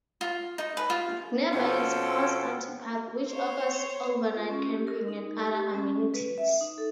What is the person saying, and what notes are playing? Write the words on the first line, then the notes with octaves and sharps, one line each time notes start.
Nearby is Powers County Park, which offers overnight camping and other amenities.
F4
D#4
B4
F4
B2 F3 C#4 A4 G5
C5 C#5
F4
C#4
G4
A#4
D#4
G4
G4
C#4
B4
E5
D#4
A4